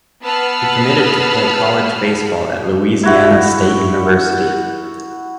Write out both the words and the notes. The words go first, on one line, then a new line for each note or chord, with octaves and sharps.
He committed to play college baseball at Louisiana State University.
B3 B4 A5 E6 F6 C7
E4 F#4 E5